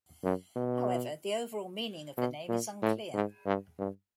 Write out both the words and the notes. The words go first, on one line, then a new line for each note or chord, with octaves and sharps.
However, the overall meaning of the name is unclear.
F#2
B2
B2
A#2
A2
G#2
G2
G2